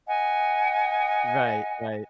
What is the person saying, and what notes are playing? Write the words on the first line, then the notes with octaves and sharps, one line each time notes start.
Right. Right.
D#5 F#5 G#5